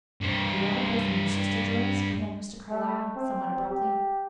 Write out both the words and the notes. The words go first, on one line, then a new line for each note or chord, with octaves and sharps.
"Have you ever heard from your sister, Joyce?" began Mr. Carlyle, somewhat abruptly.
G2 C5
A3
C4
G4